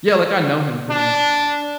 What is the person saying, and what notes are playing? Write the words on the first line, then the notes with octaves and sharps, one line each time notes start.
Yeah like, I know him pretty much.
D4